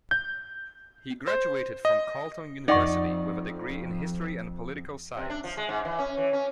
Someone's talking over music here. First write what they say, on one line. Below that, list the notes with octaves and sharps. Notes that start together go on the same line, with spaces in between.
He graduated from Carleton University, with a degree in History and Political Science.
G6
C5
D#5
F2 D#4 D5 D#5 F#5 C#6
C3
D4
F3
G#3
G#2
E3
C#4
E3
C#4